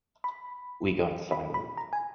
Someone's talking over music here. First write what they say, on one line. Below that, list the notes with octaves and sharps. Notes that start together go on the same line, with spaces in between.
We got silent.
B5
B5
B5
A#5
G#5